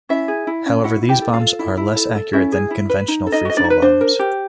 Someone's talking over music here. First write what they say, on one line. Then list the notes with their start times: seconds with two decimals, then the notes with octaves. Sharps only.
However, these bombs are less accurate than conventional free-fall bombs.
0.09 C#4 E4 E5
0.28 G#4
0.47 E4
0.66 C#4
0.84 E4 F#4 F#5
1.02 E4
1.09 G4 G5
1.22 A4
1.33 F4 F5
1.40 A4
1.59 E4
1.77 E4
1.96 A4
2.15 A4
2.33 C#4 E4 E5
2.52 G#4
2.71 E4
2.89 B4
3.08 D#4
3.27 A4
3.32 D#4 D#5
3.45 F#4 D#5
3.57 D4 D5
3.64 D#4
3.70 B4
3.82 D4 C5
4.01 A#4
4.19 G4